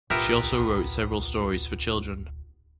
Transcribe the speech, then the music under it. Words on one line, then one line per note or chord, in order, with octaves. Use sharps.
She also wrote several stories for children.
D1 B1 B3 F4 G4 A#4 E5